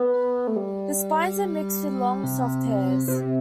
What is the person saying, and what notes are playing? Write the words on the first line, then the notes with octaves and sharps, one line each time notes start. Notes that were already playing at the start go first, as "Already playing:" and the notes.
The spines are mixed with long, soft hairs.
Already playing: B3
A3
G3
C3
C3